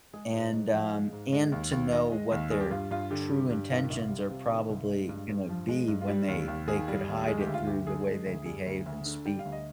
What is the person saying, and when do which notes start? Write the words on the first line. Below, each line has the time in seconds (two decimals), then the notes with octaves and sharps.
and, um, and to know what their true intentions are probably gonna be when they they could hide it through the way they behave and speak.
0.14 G#3 G#4
0.33 G#2 C5
0.52 G#2 D#5
0.73 F3 F5
0.93 G#3
1.13 G#2
1.33 G#3
1.52 D#2
1.72 D#2
1.92 D#3 D#5
2.12 G#3
2.32 D#2
2.51 G3 G#4
2.60 G4
2.71 G2 F4
2.91 G2 F4
3.11 D3 G4
3.31 G3
3.50 G2
3.70 D#3 F4
3.90 C2
4.10 G3
4.30 C3
4.50 D#3
4.69 C2
4.89 G#3
5.09 G2
5.29 G2
5.49 F3
5.68 G#3
5.88 G2
6.01 F4
6.08 G3 G4
6.28 D#2
6.48 D#2
6.67 D#3 G#4
6.88 G3
7.08 D#2
7.27 G#3 G#4
7.40 G4
7.47 D2
7.54 F4
7.67 D2 G4
7.87 D3 G#4
8.06 G#3
8.26 D2
8.46 G3 G#4
8.66 D2
8.86 D2
9.06 D3
9.25 G3 G5
9.39 F5
9.45 D2
9.52 D#5